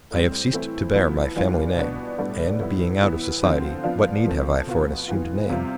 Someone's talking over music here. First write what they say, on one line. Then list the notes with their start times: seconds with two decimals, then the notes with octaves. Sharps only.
I have ceased to bear my family name; and, being out of society, what need have I for an assumed name?
0.11 A2 G3 C4
0.53 E3 A3 C4 E4
0.94 F3 B3 E4
1.36 E3 G3 D4 F4
1.76 B2 B3 D4
2.18 A2 G3 B3 D4
2.60 A2 G3 B3 E4
3.01 E3 B3 E4
3.43 D3 F3 C4 F4
3.83 F3 B3 D4 F4
4.25 F3 A3 C4
4.67 B2 B3 F4
5.08 E3 B3 F4
5.49 C3 G3 C4 F4